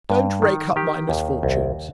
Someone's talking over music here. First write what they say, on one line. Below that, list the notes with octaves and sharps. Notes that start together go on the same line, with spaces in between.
"Don't rake up my misfortunes."
G2
D#3
D#3 G4
D#2
C2